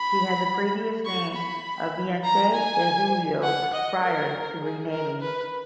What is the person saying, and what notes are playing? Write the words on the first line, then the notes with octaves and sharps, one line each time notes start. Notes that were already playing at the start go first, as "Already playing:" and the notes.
She had the previous name of Veinte de Julio prior to renaming.
Already playing: B5
C#6
B5
A#5
G#5
F#5
D#5
A#4
G#4
A#4
B4